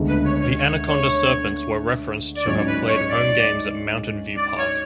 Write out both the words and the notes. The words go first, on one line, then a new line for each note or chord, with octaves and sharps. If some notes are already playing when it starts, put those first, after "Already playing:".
The Anaconda Serpents were referenced to have played home games at Mountain View Park.
Already playing: D2 C#3 G#3 B3 D4
B4
C#5
C#5
C#5
C#5
D5
G#2 F#3 C#4 C#5
B4
C#5
D5
D5
C#5